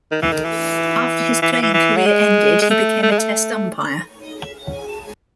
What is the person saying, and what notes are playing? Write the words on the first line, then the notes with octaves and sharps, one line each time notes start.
After his playing career ended, he became a Test umpire.
D#3
E3
D#3
E3
E3
E3
E3
E3
F#3
G#3
G#3
A3
A3
G#3
A3